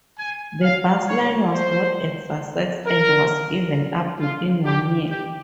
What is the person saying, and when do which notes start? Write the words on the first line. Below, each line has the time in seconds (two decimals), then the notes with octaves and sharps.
The bus line was not a success and was given up within one year.
0.18 G#5
0.63 F5
1.07 C#5
1.52 C5
2.86 A#4
4.20 F4
4.65 G4
5.10 G4